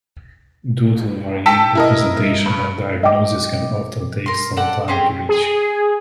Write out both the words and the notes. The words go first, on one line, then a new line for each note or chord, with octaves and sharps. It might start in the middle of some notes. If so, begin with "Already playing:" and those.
Due to the variable presentation, a diagnosis can often take some time to reach.
G5 A5 E6 B6 C#7
E4 A#4 D#5
G2
D#5 G5 D6
A#4 C6
A4 D5 F#5
C4 C#4 G4 G#4
G#4